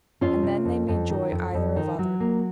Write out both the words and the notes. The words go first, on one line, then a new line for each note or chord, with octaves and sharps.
And then they made joy either of other.
F2 C#4 F4
C3
F2
F2
D#3
F2
F2
D#3
F#3
A#3